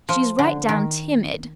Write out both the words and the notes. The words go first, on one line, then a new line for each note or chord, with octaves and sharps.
She's right down timid.
F3
D3
D#3